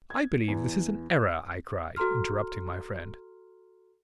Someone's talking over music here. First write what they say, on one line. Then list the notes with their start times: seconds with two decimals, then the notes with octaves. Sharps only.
"I believe this is an error," I cried, interrupting my friend.
0.10 G#6
0.48 E2
1.96 F#4 A4 A#5 C6 F6